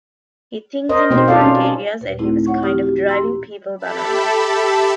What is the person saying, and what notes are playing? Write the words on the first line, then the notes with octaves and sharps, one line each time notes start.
He thinks in different areas and he was kind of driving people bananas.
A#4 C5 D#5
B2 C4 D#4 C5
F4 A4 D5 F5
C#4
D#2 A#2 B4
A3 C4 D#4 E4 G#4
C#5 F#5 C#6
F3 C4 E4 G4 D#6 F6
F#4 G4
G4 A#5 C6 E6
G4 A4 E5 A5 B5